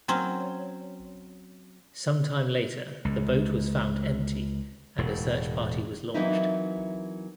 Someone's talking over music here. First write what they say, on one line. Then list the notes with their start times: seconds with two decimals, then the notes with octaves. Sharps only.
Sometime later, the boat was found empty, and a search party was launched.
0.08 F#3 C4 C#4
3.05 C#2
4.98 E1 A2
6.14 E3 F#3 A#3 C4 D#4 E4